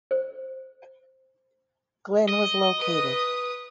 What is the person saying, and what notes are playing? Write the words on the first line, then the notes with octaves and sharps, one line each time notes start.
Glynn was located.
C5
D#5
B4 D#6